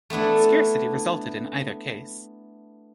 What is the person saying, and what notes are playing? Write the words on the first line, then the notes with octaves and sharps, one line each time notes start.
Scarcity resulted in either case.
A3 B3 D4 E4